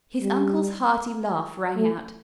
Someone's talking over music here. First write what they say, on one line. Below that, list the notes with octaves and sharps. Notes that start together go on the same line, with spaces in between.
His uncle's hearty laugh rang out.
G3
A3